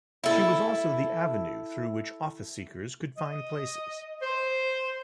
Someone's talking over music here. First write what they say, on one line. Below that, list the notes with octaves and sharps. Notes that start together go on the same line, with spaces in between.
She was also the avenue through which office-seekers could find places.
E4 A4
D#5
C5